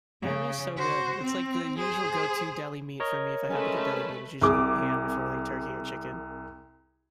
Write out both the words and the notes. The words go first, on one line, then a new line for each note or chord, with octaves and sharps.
Ham is so good, it's like, the usual go-to deli meat for me if I have to get deli meat, it's usually gonna be ham before, like, turkey or chicken.
C#3
F#4 C5
C4
G#4 C5
A#4 C#5 D#5
G#3 A3 C#4 B4
C2 G#4 D6